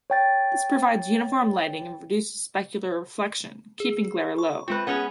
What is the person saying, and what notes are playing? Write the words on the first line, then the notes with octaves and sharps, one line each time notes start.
This provides uniform lighting and reduces specular reflection, keeping glare low.
C#5 G5 A6
G#4
C#6
G#3 C4 F4 B4
B3 C#4 G#4